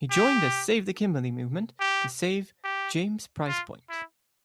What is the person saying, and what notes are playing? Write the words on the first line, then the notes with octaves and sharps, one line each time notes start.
He joined the Save the Kimberley movement to save James Price Point.
G4
G4
G4
F4
E4